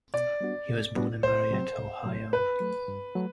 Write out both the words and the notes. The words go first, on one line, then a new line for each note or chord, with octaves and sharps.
He was born in Marietta, Ohio.
B2 D5
G3 B3 D4 F#4
B2
G3 B3 D4 F#4
C2 C5
C3 F#3 C4
C2
C3 F#3 C4
G2 B4
F#3 A3
G2
F#3 A3